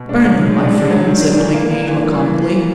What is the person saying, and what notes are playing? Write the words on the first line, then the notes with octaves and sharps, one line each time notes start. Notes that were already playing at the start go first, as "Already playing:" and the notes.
"Burn them, my friend," said Blakeney laconically.
Already playing: B2
G#3 D4
F#3
D#3
D4
D4
F#3
D#3
D#3
E3
A#3
A#3
E3
G3 A#3
E3
E3 F3
E3